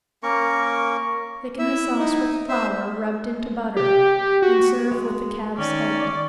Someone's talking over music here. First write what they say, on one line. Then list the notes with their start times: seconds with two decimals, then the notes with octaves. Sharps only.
Thicken the sauce with flour rubbed into butter and serve with the calves' head.
0.23 A#3 C#4 A#4 C#6
1.59 E4 E5
1.99 D#4
2.49 C5 E5
3.76 G4
4.42 F#4
4.91 G#3
5.58 D#3 C#4 D5